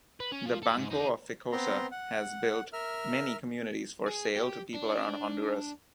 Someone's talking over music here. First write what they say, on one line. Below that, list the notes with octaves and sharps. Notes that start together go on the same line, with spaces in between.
The Banco of Ficosa has built many communities for sale to people around Honduras.
B4
C#4
F3
A4 B5
G#2
D#4 G4
B3 C4 A#5 C6
F#5
A#4 E5 F6
G#4
G4
D4